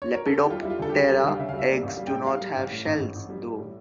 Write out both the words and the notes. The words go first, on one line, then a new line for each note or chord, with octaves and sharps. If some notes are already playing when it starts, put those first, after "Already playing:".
Lepidoptera eggs do not have shells, though.
C#5
A#4
A4
G4
G3 F4
E4
G3 F4
D2 A4
G4
G3
G3 A4
D2 F5
C#3 E5
F5
G3
E5
A#3 D5
A1
F5
G3
G5
A2
G3 F5
G3
A1
A2
A1
A1
A1
G3
G3
A2